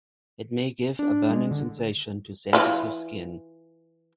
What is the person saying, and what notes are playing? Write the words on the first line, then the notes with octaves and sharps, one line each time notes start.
It may give a burning sensation to sensitive skin.
D4
G#3
D3
E3 F4 B5